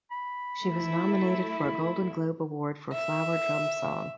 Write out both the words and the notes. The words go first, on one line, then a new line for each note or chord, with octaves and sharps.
She was nominated for a Golden Globe Award for "Flower Drum Song".
B5
A3 E4
E5